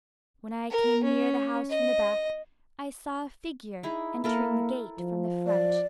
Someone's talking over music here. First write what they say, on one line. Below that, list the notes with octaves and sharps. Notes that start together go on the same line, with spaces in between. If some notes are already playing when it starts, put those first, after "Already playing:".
When I came near the house from the back, I saw a figure entering the gate from the front.
A#4
C#4
D#5
D#4 E4 G#4
A#3 E4 A4 A#4
F3
D5